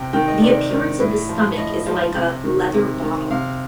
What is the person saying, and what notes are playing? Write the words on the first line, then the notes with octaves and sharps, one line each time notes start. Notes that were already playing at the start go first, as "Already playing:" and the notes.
The appearance of the stomach is like a "leather bottle".
Already playing: C3 G5
D#3 G5
D#5
C3 D5
D#3
A2
F3
A2 D#5
F3
C3
D#3
C3
D#3
C3 F5